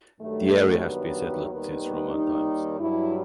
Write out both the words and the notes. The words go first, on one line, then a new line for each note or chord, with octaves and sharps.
The area has been settled since Roman times.
G2 D#3 F#3 A3
B3
D#2 D#3 G3 B3
B3
D#4
G2 F#3 E4